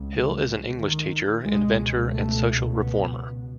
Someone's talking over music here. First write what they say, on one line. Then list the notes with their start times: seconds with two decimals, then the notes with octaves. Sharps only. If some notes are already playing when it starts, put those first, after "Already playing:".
Hill is an English teacher, inventor and social reformer.
Already playing: C#2
0.13 C#3
0.78 D#3
1.43 C#2 B2 G#3
2.08 A3
2.72 B3